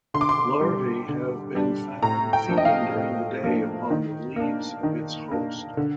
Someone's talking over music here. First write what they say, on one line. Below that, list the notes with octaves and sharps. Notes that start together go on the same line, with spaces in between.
Larvae have been found feeding during the day upon the leaves of its host.
D3 C6
D6
C6
G3 D4
D3
G3 D4
A2 A#5
G5
F3 A#3 D4
D#5
F5
A2
F3 A#3 D4
D#3
A#3 D4
D#3
A#3 D4
D3